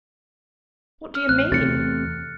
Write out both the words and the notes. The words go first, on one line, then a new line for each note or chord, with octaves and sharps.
What do you mean?
F6
A1 F#6
E2 C3 A3 A6 C#7